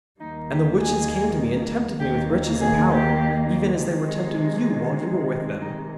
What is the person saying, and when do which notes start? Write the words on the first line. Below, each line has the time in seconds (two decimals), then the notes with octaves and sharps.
And the witches came to me and tempted me with riches and power, even as they were tempting you while you were with them.
0.19 D#2 D#3 G3 A#3 D#4
0.50 G4
0.80 G#4
1.99 D#2 D#3 A#3 G4
2.60 G#4
2.90 G4
3.80 C3 D#3 G#3
5.60 C3 D#3 G#3 D#4